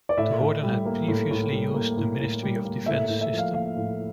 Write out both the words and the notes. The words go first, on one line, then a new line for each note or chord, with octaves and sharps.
The warden had previously used the Ministry of Defence system.
D5
A2 E5
A2
G3
A#3
A2
A2
G3
A#3
A2
A2
G3
A#3
A2 E5
A2
E5
F3
F5
A#3 F5
A2